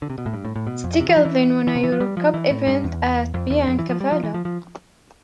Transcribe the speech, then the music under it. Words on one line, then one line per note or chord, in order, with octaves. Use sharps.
Steggall then won a Europa Cup event at Piancavallo.
D3
C3
B2
A2
G2
A2
A2
B2
F2
C3
E3
F3
E3
E3
C3
E3
F3
G3
F3
E3
A2
G2
E2
F2
E2
F2
E3
F3
G3
F3
E3
F3
F3